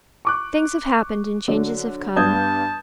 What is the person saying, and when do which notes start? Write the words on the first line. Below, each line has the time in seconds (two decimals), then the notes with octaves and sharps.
Things have happened, and changes have come.
0.25 C#6 D6 F#6
1.48 D3 F#3 D4
2.16 G2 B3 D4 A5 D#6 G6 G#6